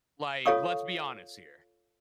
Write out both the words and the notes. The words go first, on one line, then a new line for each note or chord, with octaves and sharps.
Like, let's be honest here.
F4 A4 C#5 F5 C#6 D#6